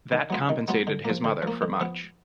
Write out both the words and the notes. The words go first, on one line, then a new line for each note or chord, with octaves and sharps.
That compensated his mother for much.
D#3
F#3 B3 F4
D#3
F#3 B3 F4
D3
F3 A#3
D3
F3 A#3
F2
F3 B3